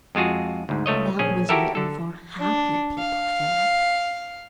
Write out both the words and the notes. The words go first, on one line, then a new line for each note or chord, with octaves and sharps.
That was written for happy people, Philip.
F2 G#3 F4 F#4 G#4
D2 G#2
C#2 A3 C#5 D#5
A#1 C#4 G#4
E4 F#4 G4 A4 A#4 E5
D3 A4
D4
F5